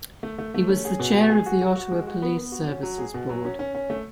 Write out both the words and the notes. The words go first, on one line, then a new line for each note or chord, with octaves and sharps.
He was the chair of the Ottawa Police Services Board.
A3
A3
A3
C#4
G#4
B2
G#4
G#4
F#4
F#4
F#4
G#3
F#4
B3
B3
F#4
C#4
F#3
G#4
B2
F#3
C#4
C#4
C#4
A3